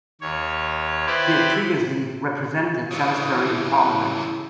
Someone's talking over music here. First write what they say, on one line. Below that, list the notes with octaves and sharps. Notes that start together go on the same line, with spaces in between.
He had previously represented Salisbury in Parliament.
D#2 C#5
E4 G4 B4 C5 D5
C#3 E3